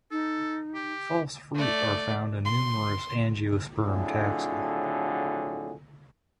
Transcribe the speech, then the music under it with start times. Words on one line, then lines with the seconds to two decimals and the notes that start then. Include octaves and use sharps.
False fruit are found in numerous Angiosperm taxa.
0.11 D#4 A4
0.74 G4
1.55 A3 D5
2.45 C6
3.86 F2 A2 D3 F#3 G#4